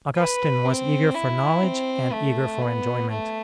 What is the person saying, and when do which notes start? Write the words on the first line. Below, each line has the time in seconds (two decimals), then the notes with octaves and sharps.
Augustine was eager for knowledge and eager for enjoyment.
0.16 B4
0.65 C4
1.15 E4
1.63 C4
2.13 A3
2.62 B3
3.10 A3